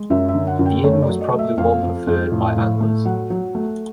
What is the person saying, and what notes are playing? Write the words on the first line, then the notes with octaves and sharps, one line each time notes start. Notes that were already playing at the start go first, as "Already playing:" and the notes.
The inn was probably one preferred by anglers.
Already playing: G#3
F#2 E5
E5
D3
F#5
F#2
G5
A3 C#5
D5
F#3
D#5
A3
E5
F2 F5
F2
F2
A2
A2
A3
F#3 F#5
F#3
A3